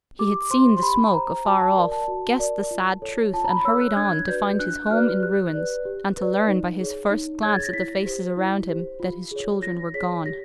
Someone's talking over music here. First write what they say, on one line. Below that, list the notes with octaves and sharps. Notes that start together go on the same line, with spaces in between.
He had seen the smoke afar off, guessed the sad truth, and hurried on, to find his home in ruins, and to learn by his first glance at the faces around him that his children were gone.
G4 D6
C5 C6
C6
G4 B5
C5 A#5
F#4 A5
A5
A#4 D5
A5
F#4
A#4 D5
F4
A4 C#5
F4 A5
A#5
B5
A4 C#5 E6
F#6
D4 G#6
F#4 B4 D5 G6
D4 F#6
F#6
F#4 B4 D5 F6
G4 F#6
B4 D5
G4
B4 D5
D#4
G#4 C#5
D#4
G#4 C#5 G#6
A6
A#6
E4 B6
G4 C5
E4
G4 C5
F4
G#4 C#5
F4 A#6
G#4 C#5 B6
G4 A#6